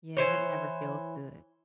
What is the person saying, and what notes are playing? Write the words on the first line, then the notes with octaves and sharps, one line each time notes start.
Yeah, that never feels good.
E3 C5 C#5